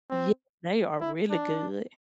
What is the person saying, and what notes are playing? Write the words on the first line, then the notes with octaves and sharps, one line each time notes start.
Yeah, they are really good.
C4
E4
D4